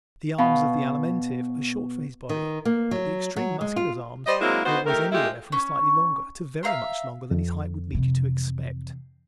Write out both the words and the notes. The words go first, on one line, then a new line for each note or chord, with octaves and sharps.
The arms of the Alimentive are short for his body but the extreme Muscular's arms are always anywhere from slightly longer to very much longer than his height would lead you to expect.
B2 F5 B5
D#3
A#3
F#3
F#3
G#3
F4
G3 C5 D#5
F#3 G#3 A#3 C4 E4
B3 D#4 F#4 C5
D#3 A3 G4 A#4
G#3 A3 E4 F4 G4
C#4
E5 F5 A#5 C6
F2
C3 E3